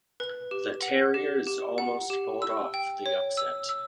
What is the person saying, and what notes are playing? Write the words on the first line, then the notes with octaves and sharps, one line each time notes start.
The Terriers almost pulled off the upset.
B4
G4
F#5
G4
G4
F#5
G4
E6
G5
C#5
E6
E6